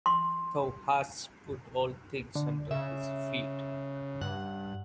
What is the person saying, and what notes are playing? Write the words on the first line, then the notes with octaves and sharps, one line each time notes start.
Thou hast put all things under his feet.
C6
D3
C#3 E5
G2 F#5